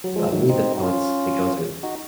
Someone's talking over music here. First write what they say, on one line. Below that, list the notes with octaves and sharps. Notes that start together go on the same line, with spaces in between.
I believe that's how it's it goes or
F#3
F3 G#3
D#3 F#3
C4 D#4
C#4 F4
D#4 F#4